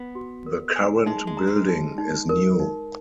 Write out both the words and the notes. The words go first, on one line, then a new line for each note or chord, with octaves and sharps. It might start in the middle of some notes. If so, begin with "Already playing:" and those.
The current building is new.
Already playing: B3
F#4
A#4
G#5
G#3 D#4
G#3
A#5
G#3
D#4
D#4
A#4
D#4